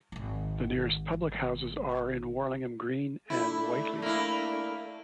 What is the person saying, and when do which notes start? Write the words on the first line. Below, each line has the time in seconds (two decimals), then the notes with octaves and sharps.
The nearest public houses are in Warlingham Green and Whyteleafe.
0.12 G#1 D#3
3.30 A3 D4 E4
4.02 A#3 E4